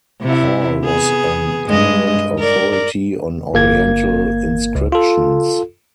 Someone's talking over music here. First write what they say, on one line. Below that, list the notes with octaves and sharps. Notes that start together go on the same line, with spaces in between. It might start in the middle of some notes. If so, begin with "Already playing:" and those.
Hall was an eminent authority on Oriental inscriptions.
C3 E4
B3 G#4
G2 G#3 D#5
A#4 D5
G1 A#3 G#6
C#2
F4 A4